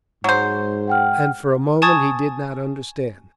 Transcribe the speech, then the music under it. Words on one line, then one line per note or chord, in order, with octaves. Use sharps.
And for a moment he did not understand.
G#2 F#3 C5
F#5 G5 F6
G#5 A5 C#6 D#6 G#6 A6